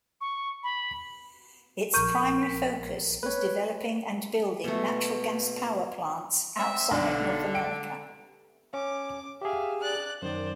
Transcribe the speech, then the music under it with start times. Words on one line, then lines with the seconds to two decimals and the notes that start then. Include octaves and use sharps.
Its primary focus was developing and building natural gas power plants outside North America.
0.21 C#6
0.63 B5
1.94 A#1 A#4 C#6 G6 D#7
2.43 B6
3.23 B4 C#5
4.64 B2 A3
6.57 C4 E5
6.91 B1 D3 D4
7.55 D7
8.74 C#4 D6
9.41 G4 G#4 E5 F5
9.82 D5 F#6
10.22 F#2 D#3 C5 D5